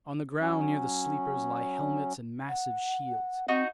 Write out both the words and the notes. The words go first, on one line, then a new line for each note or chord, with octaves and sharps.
On the ground near the sleepers lie helmets and massive shields.
F#3 C#4
F#5
C4 D#4 F#4 C#6